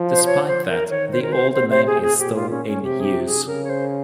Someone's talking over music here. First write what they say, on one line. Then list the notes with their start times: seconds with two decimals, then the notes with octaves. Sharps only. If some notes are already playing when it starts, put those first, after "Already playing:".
Despite that, the older name is still in use.
Already playing: F3
0.09 C5
0.26 C#5
0.47 C5
0.69 A#4
0.90 D#3 C#5
1.12 C5
1.22 A#4
1.32 C5
1.54 C3 C5
1.70 C5
1.87 G#4
2.03 G#4
2.19 A#2 G4
2.35 F4
2.51 C#4
2.68 C#4
2.83 C3 G4
3.00 G#4
3.05 G4
3.26 G#4
3.47 C#3 A#4
3.64 C#5
3.70 C5